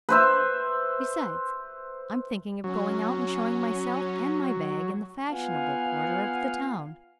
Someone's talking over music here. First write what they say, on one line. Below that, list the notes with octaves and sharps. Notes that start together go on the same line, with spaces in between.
Besides, I'm thinking of going out, and showing myself and my bag in the fashionable quarter of the town.
B4 C5 E5
F#3 C#4
B3 F4 F5 F#5 G#5